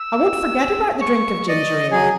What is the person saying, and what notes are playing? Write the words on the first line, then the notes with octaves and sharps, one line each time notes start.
"I won't forget about the drink of ginger-ale."
E6
C#6
D5 D#5
F#3 G#4 G#5